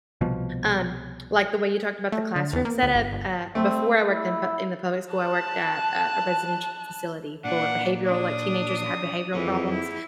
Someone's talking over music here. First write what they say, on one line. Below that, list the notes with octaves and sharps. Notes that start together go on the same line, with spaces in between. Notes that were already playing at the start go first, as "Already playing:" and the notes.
um, like the way you talked about the classroom setup, uh, before I worked in p in the public school, I worked at a a residential facility for behavioral like, teenagers that have behavioral problems,
C2 B2 F3
A3
D3
E2
A#3
D2
G1
G1
A3 C4
E4
A5 F#6
A#2 D4 F4 F#5
D4 D#6
F2 E3 G#4 F#5
E4